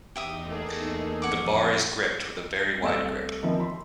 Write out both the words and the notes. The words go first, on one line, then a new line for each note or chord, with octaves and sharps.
The bar is gripped with a very wide grip.
E2 D#4 G4 E5 D#6
A3 A#3 G#4
F2 C#5 F#5 D6
C2 A3 D5 E6 E7
E3 F3 A#3 C4 D#4
B5 C6